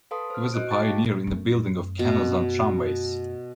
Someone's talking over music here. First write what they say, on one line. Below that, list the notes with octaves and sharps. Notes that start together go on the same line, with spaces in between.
He was a pioneer in the building of canals and tramways.
A4 B4 F5 A5 C6 D#6
C5 F6
F#4 D#5 F#6 D7
G5 A5 C#6 D6 A6
F5 A5
F#2 A3
B2